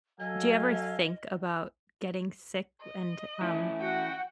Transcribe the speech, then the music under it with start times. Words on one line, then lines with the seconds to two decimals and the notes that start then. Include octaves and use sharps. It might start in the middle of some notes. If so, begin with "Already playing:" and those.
do you ever think about getting sick and, um,
0.20 F#3 A4 D#5 F5 G#5
2.81 D#5
3.41 E3 A3 C#4 E4
3.80 F#4 F#5 G5